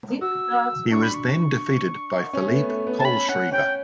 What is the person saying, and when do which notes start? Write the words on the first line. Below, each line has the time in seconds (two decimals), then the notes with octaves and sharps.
He was then defeated by Philipp Kohlschreiber.
0.21 F#4 E6
0.91 D4 C#6
1.03 B5
1.14 C#6
2.33 C#4
2.47 A3
2.51 B3
2.69 A3
2.87 B3
2.99 A5
3.05 C#4 B5
3.29 C#4 F#5
3.52 C#4 G5